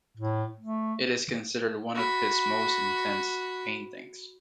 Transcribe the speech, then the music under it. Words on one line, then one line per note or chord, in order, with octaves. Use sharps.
It is considered one of his most intense paintings.
A2
A3
F#4 B5